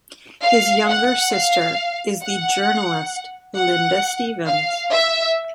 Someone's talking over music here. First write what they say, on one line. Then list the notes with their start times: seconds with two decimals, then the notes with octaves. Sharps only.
His younger sister is the journalist Linda Stevens.
0.43 F5
0.88 F#5
1.33 F5
2.23 F#5
3.57 F#5
4.47 F5
4.92 E5